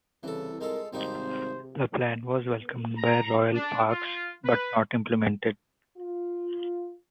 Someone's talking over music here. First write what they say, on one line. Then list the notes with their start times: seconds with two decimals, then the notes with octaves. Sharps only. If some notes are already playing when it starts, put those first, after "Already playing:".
The plan was welcomed by Royal Parks but not implemented.
0.23 C2 C#3 E3 A4
0.61 G#3 F4 A4 A#4
0.93 G#1 C3 G3 A#3 D#4 C5
2.98 A#5
3.54 D4
3.89 F4
4.45 B4
5.97 F4